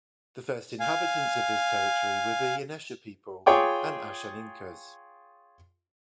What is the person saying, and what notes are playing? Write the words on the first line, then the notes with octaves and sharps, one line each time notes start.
The first inhabitants of this territory were the Yanesha' people and Ashaninkas.
F5 G#5
F4 G#4 C#5 G5 D6